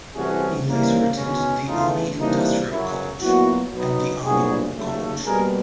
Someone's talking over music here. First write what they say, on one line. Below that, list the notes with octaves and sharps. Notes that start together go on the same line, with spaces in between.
He later attended the Army Industrial College, and the Army War College.
C2 C3 E3 A3 C#4 F#4 G#4
C3 E3 G3 A#3 C#4
B2 G#3 C#4
E2 C#3 E3 A3 D#4 F4
C3 E3 G3 A#3 D4 D#4
F#2 C#3 F#3 E4
A#2 F#3 B3 E4 F#4
B2 F#3 B3 D#4
C2 A#2 F#3 B3 D4 F#4 G#4
D#2 C#3 F#3 A3
B2 G3 A#3 G#4 A#4